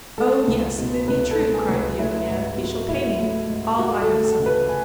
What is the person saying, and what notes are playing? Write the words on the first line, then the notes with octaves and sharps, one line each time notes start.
"Oh, yes, if it be true," cried the young man, "he shall pay me all I have suffered."
G#3 A4
C#2
B2
C#2 B4
A4
G#3
G#4
C#2
A3 E4
G#2
F#3
G#2 E4
A3
G#2
G#3 F#4
A4
D2
A4
C#3
B4
G#5